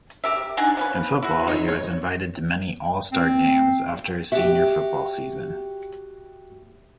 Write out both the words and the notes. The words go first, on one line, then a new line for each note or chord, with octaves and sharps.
In football, he was invited to many all-star games after his senior football season.
G4 A#4 E5
D4 D#4 F#5 G#5
F3 C#4 B4
E4 F#4
D#4 C#5
C#5
C4
F#4 G4 E5